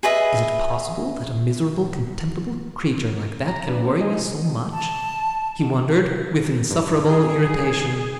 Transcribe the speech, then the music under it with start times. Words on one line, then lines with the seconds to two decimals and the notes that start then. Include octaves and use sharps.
"Is it possible that a miserable, contemptible creature like that can worry me so much?" he wondered, with insufferable irritation.
0.03 G#4 B4 D#5 E5
3.47 A#5
3.68 D4 B4
3.84 A#3 C4 C#4
4.01 D#4 G#4 D#5
4.72 A5
6.70 G2
7.07 G#4